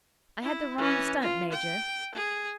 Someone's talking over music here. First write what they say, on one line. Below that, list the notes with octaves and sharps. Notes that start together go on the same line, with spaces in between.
I had the wrong stunt, Major.
E4
E3 C#4
F4
G5
G#4